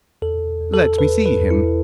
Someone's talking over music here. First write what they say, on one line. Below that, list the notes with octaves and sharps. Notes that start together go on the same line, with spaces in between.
"Let me see him."
E2 A4
E2
A4
E2 B4
B4
E2
E4